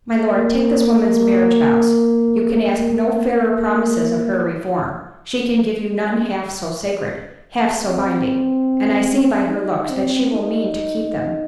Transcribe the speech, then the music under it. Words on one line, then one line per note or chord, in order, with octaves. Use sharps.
My Lord, take this woman's marriage vows--you can ask no fairer promises of her reform--she can give you none half so sacred, half so binding; and I see by her looks that she will mean to keep them.
A#3
A#3
C4
D#4
C4
D#4